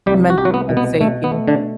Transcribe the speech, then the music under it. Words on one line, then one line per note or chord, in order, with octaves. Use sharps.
mental health sake here.
C2 G3 G4
F#4
C2 G4
F#3 F#4
B3
B2
B3
B2 A3
B3
A3
D3 D4